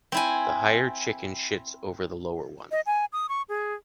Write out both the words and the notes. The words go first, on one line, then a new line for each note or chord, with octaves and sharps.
The higher chicken shits over the lower one.
C4 E4 G#5
D#5
G#5
D#6
C#6
G#4